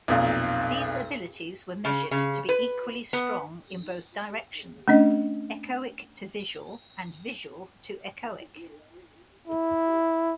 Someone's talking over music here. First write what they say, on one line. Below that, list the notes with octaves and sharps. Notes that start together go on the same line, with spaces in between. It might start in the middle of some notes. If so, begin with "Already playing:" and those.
These abilities were measured to be equally strong in both directions, echoic-to-visual, and visual-to-echoic.
B1 F2 A#2
C#3
C#3
B4
B3
A3 C#4 D4 D#5
E4